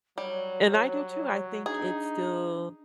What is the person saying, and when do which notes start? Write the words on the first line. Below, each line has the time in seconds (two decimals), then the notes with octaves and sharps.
and I do too, I think it's still
0.18 F#3 G3 C#5
1.66 D4 D#4 G#4